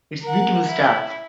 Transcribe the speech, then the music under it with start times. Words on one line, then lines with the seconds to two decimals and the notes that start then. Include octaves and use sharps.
It’s beautiful stuff.
0.22 A#4 F#5
0.64 E4